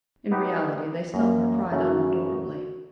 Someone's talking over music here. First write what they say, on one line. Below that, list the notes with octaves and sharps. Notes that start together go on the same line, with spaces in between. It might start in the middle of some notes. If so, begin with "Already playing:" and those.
In reality they stung her pride unendurably.
B3 D#4 G4
F#2 A#3 A#5
F#2 C#3 A3 F#4